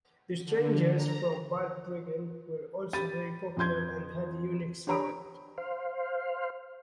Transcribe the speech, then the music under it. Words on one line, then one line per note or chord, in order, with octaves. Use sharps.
The Strangers from Balbriggan were also very popular and had a unique sound.
D3
A#5
G4 B5 A6 D#7
F2 F3 C6 G6 G#6
D4 G4 C#5 A#5 B5 D7
C5 F5